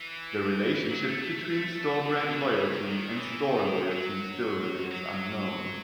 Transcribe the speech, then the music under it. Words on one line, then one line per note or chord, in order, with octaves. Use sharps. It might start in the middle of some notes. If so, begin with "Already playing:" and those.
The relationship between store brand loyalty and store loyalty still remains unknown.
Already playing: E3
F#3
A3
A3
D#3
E3
F#3
G3
E3
D#3
D#3
E3
D#3
F#3
F#3